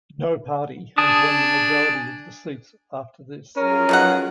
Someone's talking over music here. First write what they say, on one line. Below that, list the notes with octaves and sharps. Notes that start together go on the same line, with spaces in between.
No party has won the majority of the seats after this.
D4 G#4 A5 D#6
F#3 C#4 F4 G#4 A#4
B2 D#3 F#5